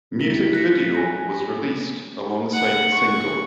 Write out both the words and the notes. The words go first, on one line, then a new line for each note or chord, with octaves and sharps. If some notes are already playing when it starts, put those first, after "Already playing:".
Music video was released alongside the single.
E4 A#4 A#6 B6
F#6 A#6 B6 C#7
G#5 A#6
F#5
C#6